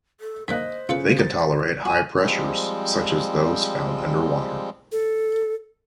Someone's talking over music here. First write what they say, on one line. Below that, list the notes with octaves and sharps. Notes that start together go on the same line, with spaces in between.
They can tolerate high pressures, such as those found under water.
A4
D3 G#3 A#3 C5 D#5 F#6 B6
C#3 F4 A4 B4 C#7
D#4 G4 A6
F#4 G#5
F3 G3 G#3 C4
A4